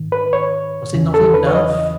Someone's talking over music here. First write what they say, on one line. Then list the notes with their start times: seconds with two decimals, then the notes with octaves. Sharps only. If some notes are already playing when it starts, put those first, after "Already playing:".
Was it not enough?
Already playing: G#2 D#3
0.12 B4
0.33 C#5
0.94 E2 C#3 E3
1.14 A4
1.34 B4
1.47 C#5
1.55 D#5